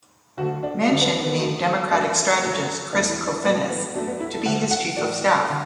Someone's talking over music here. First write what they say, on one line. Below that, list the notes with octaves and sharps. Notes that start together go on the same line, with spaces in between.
Manchin named Democratic strategist Chris Kofinis to be his chief of staff.
D2 D3 F#3 A3 F#4
D4
D2 D3 F#3 D4
B3
B3
F#2 F#3 A3
F#2 F#3 A3 D4
F#2 F#3 A3
E2 E3 A3 D4
E4
D4
A2 F#3 A3 B3
B3
F#2 F#3 A3 D4
B3
E4
A4
D2 D3 A3 F#5
F#5
A2 F#3 A3 D5
D3